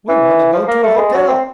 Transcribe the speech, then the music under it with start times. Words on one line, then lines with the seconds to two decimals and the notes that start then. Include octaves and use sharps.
"We want to go to a hotel."
0.09 E3
0.53 F3
0.68 A#3
0.84 A3
0.98 G#3
1.14 F#3
1.28 C4